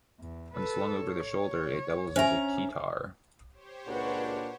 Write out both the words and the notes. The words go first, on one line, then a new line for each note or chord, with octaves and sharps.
When slung over the shoulder it doubles as a "keytar".
E2
A4 B4
C#5
C#4 C5 E5 G#5 A#5
G4 C5 C#5
C#2 A#2 D4 F#4 B4